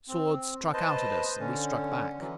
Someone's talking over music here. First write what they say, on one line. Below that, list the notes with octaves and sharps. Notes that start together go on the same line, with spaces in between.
Swords struck out at us, and we struck back.
C4
B4 C5 D#5 A5
D3 C#4
E3 F#3